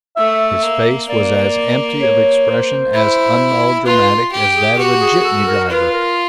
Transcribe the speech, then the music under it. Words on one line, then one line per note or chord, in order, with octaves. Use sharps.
His face was as empty of expression, as unmelodramatic, as that of a jitney driver.
A3 E5
A#3
A#3 D5
C#5
C5
E4
F4 B4
G4
G#4
F#4 G4
G#4
A4
A#4
F4 B4
A#4